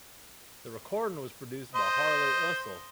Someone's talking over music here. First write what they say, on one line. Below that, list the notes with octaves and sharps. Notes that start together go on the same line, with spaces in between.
The recording was produced by Harley Usill.
C5 D#5